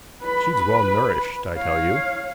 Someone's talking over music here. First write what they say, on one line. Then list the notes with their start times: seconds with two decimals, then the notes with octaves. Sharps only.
She's well nourished, I tell you.
0.22 B4 B5
1.57 C#5 F5